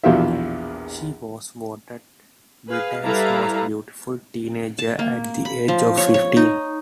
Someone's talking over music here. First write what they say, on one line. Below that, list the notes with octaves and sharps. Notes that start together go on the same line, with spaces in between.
She was voted Britain's most beautiful teenager at the age of fifteen.
A#1 E2 B2 F4 G4 E5
G#4 B4 F5
G3 E4 A4 B4 F5 A#5
A5
A#3
B5
F3
C#5
C#5
D#4